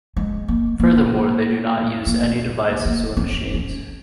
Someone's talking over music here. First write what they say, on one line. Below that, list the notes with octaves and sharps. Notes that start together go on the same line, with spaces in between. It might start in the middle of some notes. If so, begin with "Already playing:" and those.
Furthermore, they do not use any devices or machines.
G#3
A#3
A#3
A#3
A#3
C4
C#4
C#4